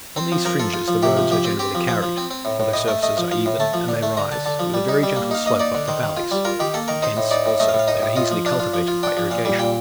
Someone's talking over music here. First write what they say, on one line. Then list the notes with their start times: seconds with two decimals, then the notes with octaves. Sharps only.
On these fringes the roads are generally carried, for their surfaces are even, and they rise, with a very gentle slope up the valleys: hence, also, they are easily cultivated by irrigation.
0.16 C4 C5
0.32 F3
0.45 F3 A#4
0.59 F4 A4
0.73 F4
0.88 F3
1.03 C3 G4
1.17 F3
1.31 F3 G4
1.45 C4
1.59 C4 G4
1.75 F3
1.88 F3 C5
2.02 F3
2.18 C4
2.31 C4
2.45 A2
2.60 A2
2.73 A2 D#5
2.88 A3
3.03 A3 D#5
3.17 F3
3.31 F3 F5
3.46 A2
3.60 A3 A5
3.73 F3
3.88 D3
4.03 A3
4.17 D3 A#5
4.32 D3 A5
4.45 D3 A5
4.59 F3
4.74 G3
4.89 D#4
5.03 G3
5.16 A#3
5.31 D#4 F5
5.46 A#3 D#5
5.60 D#4 D5
5.74 D3
5.88 D#3 C5
6.03 D#3
6.17 F4
6.31 G3
6.45 F4 A#4
6.60 D#3 G4
6.74 A#3 A4
6.88 D#3 A#4
7.02 D#4 C5
7.17 A2
7.31 D#4 D5
7.46 A2
7.60 A3 D#5
7.69 F5
7.74 A2
7.79 F5
7.88 D#4 D#5
8.02 A2
8.16 F4 D#5
8.31 F3
8.46 D4 F5
8.60 F4
8.74 F3
8.88 F4
9.03 D4 G5
9.17 F3
9.31 A#2 F5
9.45 G3
9.59 A#2 G5